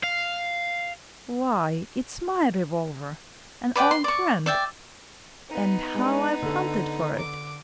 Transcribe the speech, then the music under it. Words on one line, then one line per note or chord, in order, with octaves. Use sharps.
Why, it's my revolver, an old friend! And how I've hunted for it!
F5
B4 D5 F#5 G5
C6
D5 C#6
D5 E5 G5
B3 D#4
G#3 D4
D3 A4
D6